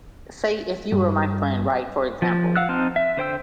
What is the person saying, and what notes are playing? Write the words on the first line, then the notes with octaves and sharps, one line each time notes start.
say if you were my friend, right, for example,
G2
F3
F5 F#5 E6 F#6
C4 D#4 A5 C6 F6
E5
D3 C5 G5 E6